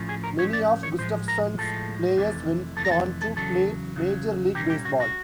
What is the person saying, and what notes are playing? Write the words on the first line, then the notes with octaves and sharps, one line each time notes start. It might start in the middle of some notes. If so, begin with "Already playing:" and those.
Many of Gustafson's players went on to play Major League Baseball.
Already playing: A2 F3 A3 C#4
G#4
A#4
A2 F3 A3 C#4 C#5
D5
C#5
A2 F3 G#3 C5
A#4
A2 F3 G#3 A4
F2 C3 E3 A3
F2 C3 E3 A3 A4
A#4
A4
A4
E2 C#3 F#3 A4
E2 C#3 F#3
C2 A#2 G3 A#3 C#4 G4
G4
F#4
F#4